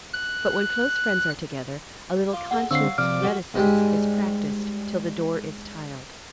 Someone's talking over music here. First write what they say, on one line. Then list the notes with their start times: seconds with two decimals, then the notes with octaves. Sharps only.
But when close friends are together, a little conscious reticence is practised till the door is tiled.
0.13 F#6
2.33 F4 D6
2.51 G#3 A4 F#5 A5
2.71 D3 C4 C#5 F5 F#5 E6 C7
2.98 C3 F3 A#3 D5 D6 F6
3.22 F#4 G4 A4
3.54 G#2 G3 G#3